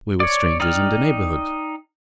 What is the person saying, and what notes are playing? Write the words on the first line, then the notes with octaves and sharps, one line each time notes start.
We were strangers in the neighbourhood.
C#5 D5
D#4 D5 G5 F6